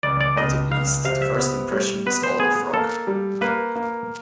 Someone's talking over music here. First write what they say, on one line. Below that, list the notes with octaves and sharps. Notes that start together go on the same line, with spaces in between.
On the east, the first impression is all of rock.
C#2 D5
D5
C#2 D#5
C#2 F5
C3 F5
E5
B3
G3
B3 B4
C5
B3 G#4
A#3 A4
G3
A#3 B4
A#3